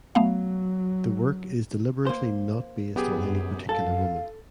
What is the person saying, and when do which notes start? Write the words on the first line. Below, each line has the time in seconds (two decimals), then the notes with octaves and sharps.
The work is deliberately not based on any particular woman.
0.15 F#3 A3 B3 F5
2.07 A#3 C5
2.96 F#2 B3 G4 G#4
3.69 A4 F5 A6